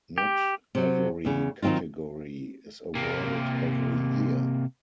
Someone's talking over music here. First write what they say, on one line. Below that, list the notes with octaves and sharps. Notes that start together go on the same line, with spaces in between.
Not every category is awarded every year.
G4
C3 F#3
E2 C#3
D#3 F#3 C4 D#4 F4
C3 A#3